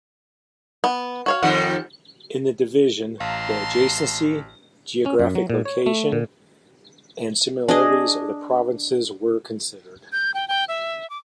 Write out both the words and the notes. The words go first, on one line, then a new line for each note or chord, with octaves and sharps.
In the division, the adjacency, geographical location and similarities of the provinces were considered.
B3
F#4 C#5 F5
F2 D#3 G3 F#5
A1 F5 A5 A#5 C6
C#4
F#2
F#3
A#2
C#5
A3
A#2
D4 G#4 D#5
G6
G5
G5
E5
D6